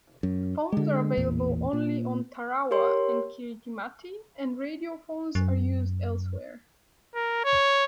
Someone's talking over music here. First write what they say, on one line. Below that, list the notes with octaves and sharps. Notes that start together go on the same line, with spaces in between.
Phones are available only on Tarawa and Kiritimati and radio phones are used elsewhere.
F#2
D3 G#3
A1 E2 A#2
A#2
G4 A#4 C#5 C6
F#2
A#4
C#5